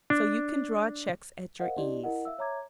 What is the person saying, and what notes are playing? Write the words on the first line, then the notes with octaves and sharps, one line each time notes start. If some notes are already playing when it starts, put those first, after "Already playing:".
So you can draw cheques at your ease.'
D4
A#4 C5 D#5 F5 F#5
D4 E4 G4 D5 D#5
E4 A#4 D#5 F#5
E5 F5 E6
C#5 E5 A#5 D6 G#6